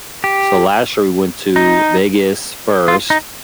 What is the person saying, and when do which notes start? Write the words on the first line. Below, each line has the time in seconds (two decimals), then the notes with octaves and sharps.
So last year we went to Vegas first,
0.24 G4
1.56 D#4
2.88 F4
3.10 D#4